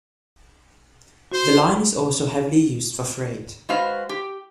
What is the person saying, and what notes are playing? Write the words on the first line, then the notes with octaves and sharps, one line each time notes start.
The line is also heavily used for freight.
F#4 C5
G#3 F#4 B4 C5 F5
G4